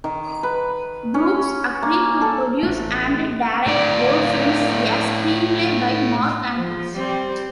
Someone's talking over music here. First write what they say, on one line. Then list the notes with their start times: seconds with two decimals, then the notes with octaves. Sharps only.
Brooks agreed to produce and direct "Old Friends", a screenplay by Mark Andrus.
0.04 D#3
0.43 B4
1.14 C#4
1.82 A#3
2.21 A4
2.63 A1 A3
3.67 A2 D5
6.54 F3
6.95 G3 C4 C5